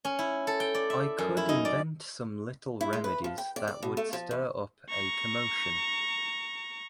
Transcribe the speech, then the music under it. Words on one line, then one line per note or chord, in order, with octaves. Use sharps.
I could invent some little remedies that would stir up a commotion.
C#4
E4
A4
G5
D5
E5
F#2
E4
D#4
D5
E4
G#3
B4
F3
G5
D5
D5
B2
A3
F3
E2
A#5 C#6